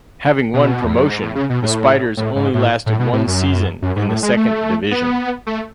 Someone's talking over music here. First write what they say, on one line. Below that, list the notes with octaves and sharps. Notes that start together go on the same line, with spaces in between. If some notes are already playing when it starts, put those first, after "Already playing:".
Having won promotion, the Spiders only lasted one season in the Second Division.
B2
E2
F#2
G#2
A2
C#3
B2
A2
A2
G#2
A2
A2
B2
A2
F#2
F#2
G#2
A2
G#3
A3
B3
A3